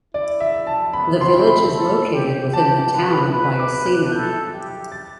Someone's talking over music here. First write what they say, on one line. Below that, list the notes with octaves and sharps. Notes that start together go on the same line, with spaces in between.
The village is located within the Town of Wyocena.
E4 D5
E5
A5
B3 B5
C6
C4
B5
A4
G4
G4 A5
A5
B4
B5
B4 B5
D6
F#6
A4 G6
G4
A6